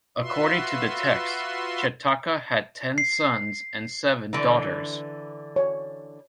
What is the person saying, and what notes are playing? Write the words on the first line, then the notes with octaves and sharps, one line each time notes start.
According to the text, Chetaka had ten sons and seven daughters.
F4 F#4 B4 E5 C6
C7
D3 E3
C#5